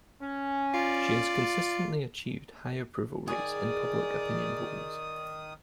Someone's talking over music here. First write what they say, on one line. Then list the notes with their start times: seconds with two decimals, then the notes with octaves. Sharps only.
She has consistently achieved high approval rates in public opinion polls.
0.21 C#4
0.74 F4 D5
3.28 D#3 G#4 D5 D#6